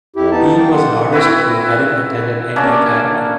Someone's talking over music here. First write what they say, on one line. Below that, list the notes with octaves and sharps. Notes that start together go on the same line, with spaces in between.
He was an artist who hadn’t attended any academy.
F2 E4 G4
B3 D#4 E4 A5 A6
A#3 G5
F#5 C6
C4 E4 F#4 B4
A#3 C#4 D4